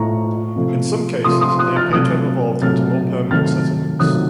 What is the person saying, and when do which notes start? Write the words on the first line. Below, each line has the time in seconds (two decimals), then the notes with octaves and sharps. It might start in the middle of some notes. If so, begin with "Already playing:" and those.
In some cases, they appear to have evolved into more permanent settlements.
Already playing: A2 A3 A#5 C#6
0.56 C3 F3 A3
1.24 C3 F3 A3 C6 D#6
1.41 C6 D#6
1.59 D#6 F#6
1.76 F6 A6
1.93 C3 F#3 A3 D#6 F#6
2.62 C3 F#3 A3 F6 A6
3.31 C3 D#3 F#3 A3 F6 A6
3.99 C3 D#3 F#3 A3 D#6 F#6